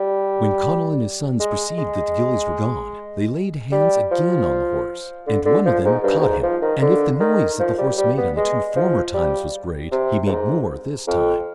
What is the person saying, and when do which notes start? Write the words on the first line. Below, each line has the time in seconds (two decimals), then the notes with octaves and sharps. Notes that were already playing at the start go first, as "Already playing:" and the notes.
When Conall and his sons perceived that the gillies were gone, they laid hands again on the horse, and one of them caught him; and if the noise that the horse made on the two former times was great, he made more this time.
Already playing: G3
1.40 G#3
1.78 G#3
3.72 G3
4.11 F3
5.27 D3
5.46 D3
5.65 F3
5.84 G#2
6.04 G2
6.18 B2
6.23 G#2
6.43 F3
6.62 D#3
6.82 D3
7.20 D#3
7.59 F3
7.78 G3
7.97 G3
8.17 B3
8.36 G#3
8.76 F3
9.14 G3
9.92 C3
10.26 G2
10.30 G#2
11.07 F2